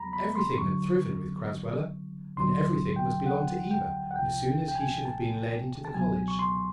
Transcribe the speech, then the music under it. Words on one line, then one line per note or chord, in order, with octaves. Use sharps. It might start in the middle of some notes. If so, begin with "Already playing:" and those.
Everything had thriven with Crasweller, and everything must belong to Eva as soon as he should have been led into the college.
Already playing: E2 F#3 A#5 B5
B5
C6
F#2 D3 F#3 C#6
D2 D3 F#3 C6
G5
F#5
G5
F#5
C2 C3 F3 G5
G5
G#5
A5
A5
C#2 B2 F#3 G#5
C#6
C6